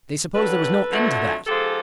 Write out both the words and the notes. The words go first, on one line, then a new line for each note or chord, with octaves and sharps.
They supposed there was no end to that.
G2 D3 F#3 A4 B4
F2 D3 F#3 A3
G#2 F3 G#3 G4 A4